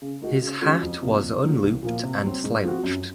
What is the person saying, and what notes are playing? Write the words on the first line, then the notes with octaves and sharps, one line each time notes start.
His hat was unlooped and slouched.
C#3
G#3 D#4 F#4
C#3
F3 G#3 C#4 F#4
F2
C3 F3 A#3
F2
C#3 F#3 A#3 F4
C2
A#2 F3 A#3
C3
F#3 C4
G#2
F3 C4 F#4
F#2